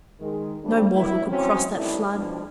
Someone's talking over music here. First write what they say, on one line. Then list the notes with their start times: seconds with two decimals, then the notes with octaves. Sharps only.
'No mortal could cross that flood.
0.20 D#3 G#3
0.63 F3 G3 A3 C4 D4
0.95 B2 E4 B4
1.27 F#3 C4 C#4
1.74 D#2 E3 A3 D4 E4
2.14 B2 F3 D4